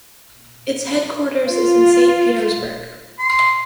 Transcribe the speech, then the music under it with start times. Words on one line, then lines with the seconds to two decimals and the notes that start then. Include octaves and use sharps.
Its headquarters is in Saint Petersburg.
1.47 F4
3.19 C6